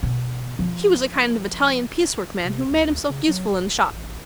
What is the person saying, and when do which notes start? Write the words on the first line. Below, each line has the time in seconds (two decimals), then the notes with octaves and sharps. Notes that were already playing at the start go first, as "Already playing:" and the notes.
He was a kind of Italian piece-work man, who made himself useful in the shop.
0.03 B2
0.59 F3
2.45 C3
2.70 D2
3.10 C#3
3.28 F#3
3.52 D1
3.92 A1